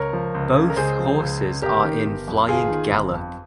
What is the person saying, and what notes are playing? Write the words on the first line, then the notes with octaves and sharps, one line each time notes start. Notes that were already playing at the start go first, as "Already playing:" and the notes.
Both horses are in flying gallop.
Already playing: C#2 A#4 C#5
F3
C#2
C#3
A#4
C#2 G#4 C5
F3
C#2
C#3
G1 G4 A#4
D#3
G1
F2
G1 F4 G#4
D#3
G1
F2